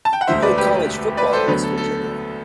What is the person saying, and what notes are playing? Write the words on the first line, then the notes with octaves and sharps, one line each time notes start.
He played college football at West Virginia.
A5
G5
F#5
E1 D2 D3 C5 E5
B4 D5
G4 B4
B4 D5
A4 C5
D2 D3 F#3 B3
A4
A4